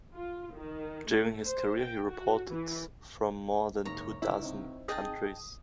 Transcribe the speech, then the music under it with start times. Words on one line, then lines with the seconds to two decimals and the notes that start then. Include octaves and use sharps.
During his career, he reported from more than two dozen countries.
0.15 F4
0.55 D#3
1.09 A3
1.48 C5
1.79 G5
2.10 F#4
2.50 E3
3.85 F#1 G#2 C#5 A#5
4.22 C#2 D3 E4
4.43 C4 D#4
4.88 G#4 D#5 G5 A5 D#6